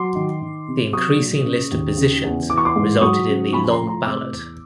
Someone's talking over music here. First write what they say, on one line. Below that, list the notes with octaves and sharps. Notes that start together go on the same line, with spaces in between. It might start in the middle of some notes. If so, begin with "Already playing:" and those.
The increasing list of positions resulted in the "long ballot".
Already playing: F#3 C6 D6
D#3
D#3
C3
F#3 C#6 D#6
A#2
C#3
D#2
C#3
E2
E3 D6
C#6
C6 D6
G#2
F#3 C#6 D#6
C#3
F3 B5 C#6
B5
A#5 C6
A2
A#5 C6
C3 D6 E6
E2